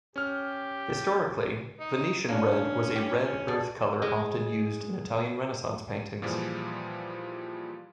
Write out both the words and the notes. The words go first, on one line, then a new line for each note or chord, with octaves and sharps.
Historically, Venetian red was a red earth color often used in Italian Renaissance paintings.
C#4 G4 F6
D#4
A#3 C#4 D4
G4
C#4
G#4 A4 D5
G#3
A#2 E3 F3 G3 G#4